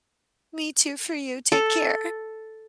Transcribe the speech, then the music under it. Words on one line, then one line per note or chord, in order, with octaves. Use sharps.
Me, too, for you. Take care.
A4